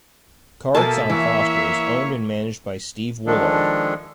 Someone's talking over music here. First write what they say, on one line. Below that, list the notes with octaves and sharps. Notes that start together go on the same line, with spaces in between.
Carts on Foster is owned and managed by Steve Woolard.
B2 A#3 A4 E5 G#5 A5
E3 A#3 E4 C#5
D#3 F3 G#3 D4 A4